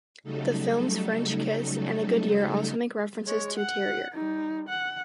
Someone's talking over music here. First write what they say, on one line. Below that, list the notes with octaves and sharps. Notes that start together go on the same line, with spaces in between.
The films "French Kiss" and "A Good Year" also make references to "terroir".
C#3 F#3 G3 A3 D#4 A4
G#3 C#5
F#5
G3 D#4
F#5